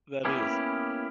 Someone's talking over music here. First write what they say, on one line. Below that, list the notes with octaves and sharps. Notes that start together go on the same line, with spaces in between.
That is.
A#3 B3 C#4 E4 G4